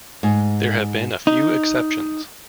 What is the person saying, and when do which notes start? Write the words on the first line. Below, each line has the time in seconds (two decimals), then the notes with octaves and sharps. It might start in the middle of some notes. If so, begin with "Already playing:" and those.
There have been a few exceptions.
0.23 G#2
1.27 D#4